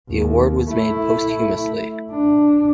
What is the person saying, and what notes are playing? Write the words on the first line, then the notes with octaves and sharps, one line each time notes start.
The award was made posthumously.
D#2
A3 E4
D4